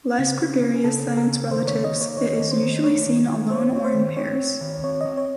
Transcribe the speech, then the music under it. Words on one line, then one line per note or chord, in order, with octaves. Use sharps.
Less gregarious than its relatives, it is usually seen alone or in pairs.
C#3 C4
C#4
C#4
C#3 A4
C#3
A#4
C#3
D#3 C5
C#5
A#3
D#5
A#3
C#5
D#3 C#5
D#3
C5
D#3
A3 C#5
D#3
D#3
A3 C5
C4 C#5
C5
D#3
C4 C#5
C4
D#3
C4 C#5
D#5
C4
C#5